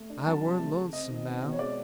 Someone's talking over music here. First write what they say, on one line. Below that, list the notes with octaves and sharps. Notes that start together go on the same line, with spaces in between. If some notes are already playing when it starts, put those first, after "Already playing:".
I warn't lonesome now.
Already playing: A3
D4
F#3 A5
C3
A3
C#3
C4 D#5
D#3
C4
B2
C#5
G#3 D5